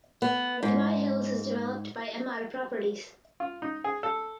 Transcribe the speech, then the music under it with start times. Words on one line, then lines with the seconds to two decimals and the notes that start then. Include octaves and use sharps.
Dubai Hills is developed by Emaar Properties.
0.22 B3
0.63 G#2
3.40 F4
3.62 D#4
3.84 G#4
4.03 A4